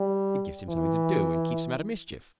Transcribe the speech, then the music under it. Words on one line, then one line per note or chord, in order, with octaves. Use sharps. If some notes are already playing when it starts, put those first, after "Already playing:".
It gives him something to do and keeps him out of mischief.
Already playing: G3
E3